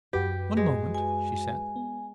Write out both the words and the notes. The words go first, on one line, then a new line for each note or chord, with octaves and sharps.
"One moment," she said.
F#2 F#4 G4 B4
G#3
G#5
B3